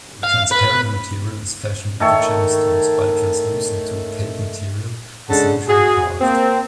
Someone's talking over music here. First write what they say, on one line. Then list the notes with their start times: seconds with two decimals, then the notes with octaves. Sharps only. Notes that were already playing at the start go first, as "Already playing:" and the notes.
Transparent material is fashioned into gemstones while translucent-to-opaque material is usually carved.
0.23 F5
0.51 B4
2.00 D#3 A3 A4 C#5
5.29 C#3 G#3 D4 A4 F#5 A5
5.68 F#4 G#4
6.21 A#3 C4